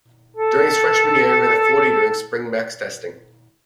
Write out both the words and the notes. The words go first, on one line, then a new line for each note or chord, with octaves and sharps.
During his freshman year, he ran a forty during spring max testing.
A4